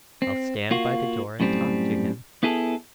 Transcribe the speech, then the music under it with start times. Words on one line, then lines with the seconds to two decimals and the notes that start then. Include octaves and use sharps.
'I'll stand by the door and talk to him.'
0.22 C4
0.71 A#3 F4 F#4
1.40 F#2 A2 G3 C4
2.43 B3 E4 G#4 A4